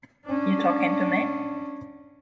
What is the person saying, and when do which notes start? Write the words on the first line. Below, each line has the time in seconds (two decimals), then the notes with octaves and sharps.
You talking to me?
0.26 C#4 D4